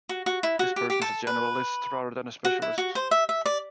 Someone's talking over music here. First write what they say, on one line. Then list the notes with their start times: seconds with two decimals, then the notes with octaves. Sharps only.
This person is a generalist rather than a specialist.
0.09 F#4
0.26 F#4
0.43 E4
0.59 F#4
0.76 G4
0.90 G4
1.02 A4
1.27 B4
2.45 F#4
2.62 E4
2.78 F#4
2.95 C5
3.11 E5
3.29 E5
3.46 D5